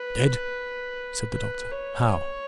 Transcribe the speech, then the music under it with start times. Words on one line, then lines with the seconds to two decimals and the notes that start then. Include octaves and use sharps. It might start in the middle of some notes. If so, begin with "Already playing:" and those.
"Dead!" said the doctor, "how?"
Already playing: B4
1.34 B4
1.72 C#5